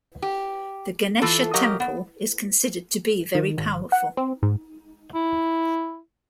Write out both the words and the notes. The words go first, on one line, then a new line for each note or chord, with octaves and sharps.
The Ganesha temple is considered to be very powerful.
G4
E3 F4 A4
F#3 G4 A#4 D#5 F5
B3
D#3
G#1
F#5
C4
G#2
E4